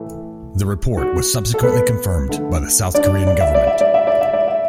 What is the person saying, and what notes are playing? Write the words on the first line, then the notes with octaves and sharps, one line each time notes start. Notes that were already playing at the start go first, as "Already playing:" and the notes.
The report was subsequently confirmed by the South Korean government.
Already playing: A2 E3 A3
F#4
A4
B3 B4
D3 A3
D4 D5
D5
E5
D5
E5
D5
E5
D5
E5
D5
E5